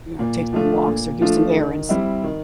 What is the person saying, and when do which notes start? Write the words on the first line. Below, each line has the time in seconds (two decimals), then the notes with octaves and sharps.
you know, take some walks or do some errands.
0.19 A#2
0.53 F3 A3 D4 F4
0.87 A#2
1.21 F3 A3 D4 F4
1.56 D#3
1.89 G3 C4 E4
2.24 D#3